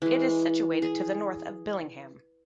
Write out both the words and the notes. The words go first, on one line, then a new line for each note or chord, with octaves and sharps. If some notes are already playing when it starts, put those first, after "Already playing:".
It is situated to the north of Billingham.
E3 G#3
G#4